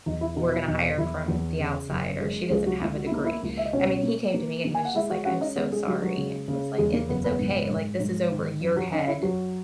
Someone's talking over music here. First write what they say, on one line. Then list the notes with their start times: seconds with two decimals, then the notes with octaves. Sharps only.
we're gonna hire from the outside," or, "She doesn't have a degree," I mean, he came to me, and he was just like, "I'm so sorry," And it was like, "It it's okay, like, this is over your head,
0.06 E2 D#4
0.21 E4
0.37 B2 D#4
0.53 E4
0.67 E2 D#4
0.98 E2 E4
1.28 E2
1.59 C#3
1.89 F#1
2.21 G#3
2.50 C#2 G#3 G#4
2.66 F#3 F#4
2.81 C#2 E4
2.96 F#4
3.07 E4
3.12 A#3 D#4
3.25 E4
3.43 C#2
3.57 E5
3.65 D#5
3.73 B2 C#4 C#5
4.03 A#3
4.34 A#3
4.65 A#3
4.75 G#5
4.85 F#5
4.95 G#3 E4 E5
5.10 F#4 F#5
5.25 C#4 F#4 F#5
5.41 D#4 D#5
5.56 G#3 B3 B4
5.71 G#3 G#4
5.87 F#3 G#3 F#4
6.02 F#3 F#4
6.17 C#3
6.48 C#3
6.78 E2 G#3 G#4
6.93 A#3 A#4
7.09 F#1 B3 B4
7.24 B3 B4
7.39 G#2
7.70 G#2
8.00 G#2
8.31 D#3
8.61 F#2
8.76 F#3 F#4
8.92 C#4 D#4
9.08 E4
9.22 F#2 F#3 F#4